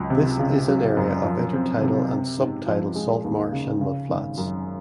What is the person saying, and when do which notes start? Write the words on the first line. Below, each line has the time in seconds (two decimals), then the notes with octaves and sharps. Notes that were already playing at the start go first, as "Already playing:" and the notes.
This is an area of intertidal and subtidal saltmarsh and mudflats.
Already playing: C#2 F#3
0.10 C3
0.39 C#3
0.68 F#3
0.97 F#2
1.24 F3
1.53 C4
1.81 C3
2.10 C4
2.38 G#2
2.66 F3
2.95 G#3
3.24 D#2
3.52 C#3
3.81 C#3
4.09 G#1
4.37 F#2